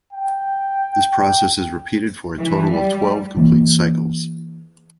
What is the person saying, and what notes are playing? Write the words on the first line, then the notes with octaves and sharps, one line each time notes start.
This process is repeated for a total of twelve complete cycles.
G5
G5
E3
G3
E3 A#3